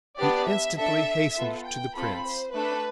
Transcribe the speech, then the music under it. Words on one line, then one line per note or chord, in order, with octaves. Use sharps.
He instantly hastened to the Prince.
B3 D4 G4 D5
E5
D4 A4 E5
B3 F4 A4
G5
C4 F4 A4 B5
C5
A3 D4 A4 B4